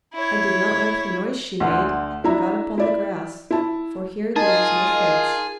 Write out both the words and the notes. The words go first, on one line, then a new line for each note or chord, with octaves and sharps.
I did not like the noise she made, and got upon the grass, for here there was no fence.
E4 C#5
D2 D3
D4 E4 E5 A#5
E4 D5 E5
E4 A5
D#4 F4 G#4 A#4 D#5 A5